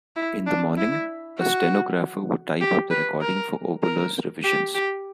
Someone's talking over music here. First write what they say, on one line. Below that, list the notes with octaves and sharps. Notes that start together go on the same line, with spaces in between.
In the morning, a stenographer would type up the recording for Oboler's revisions.
E4
D4
E4
F#4
G4
B4
A#4
A#4
G4
G4